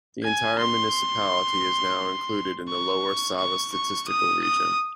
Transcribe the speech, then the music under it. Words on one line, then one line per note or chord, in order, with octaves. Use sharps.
The entire municipality is now included in the Lower Sava Statistical Region.
G#5
C6
C#6
C#6
C#6
D#6
D#6